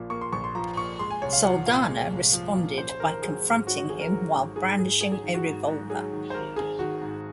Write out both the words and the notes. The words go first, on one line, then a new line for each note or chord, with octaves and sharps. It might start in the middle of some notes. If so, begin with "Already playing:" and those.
Saldanha responded by confronting him while brandishing a revolver.
Already playing: A#1 A#2 F3
A#3 C#6
C6
A#1 C#6
C6
F3 A#5
A#2 C#6
G#3 C6
G#5
C2 C#5
F5
F3 F#5
A#2 F5
G#3
C2
F3
A#2
C#4 C5
C5
G#1 A#4
F#3 G#4
G#2
C#4 F#4
F#4
G#1 G#4
A#4
F#3
G#2
G#2 G#4
G#2 G#4
F#3 G#4
G#4
D#3
F#4
G#2
G#2
F#3 G#4
D#3
C5
G#1 A#4
G#1 G#4
D#3 F#4
G#2